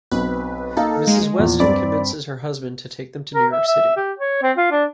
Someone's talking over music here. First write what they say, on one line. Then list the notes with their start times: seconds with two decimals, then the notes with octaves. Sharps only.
Mrs. Weston convinces her husband to take them to New York City.
0.12 B1 C4 B4
0.77 A#3 D#4 A4 F5
1.07 G#3
1.38 E2 A#2 F3
1.60 G2 C4 D5 B5
3.34 A#4
3.53 E5
3.68 E5
3.97 G4
4.18 C#5
4.42 C4
4.57 F4
4.71 D4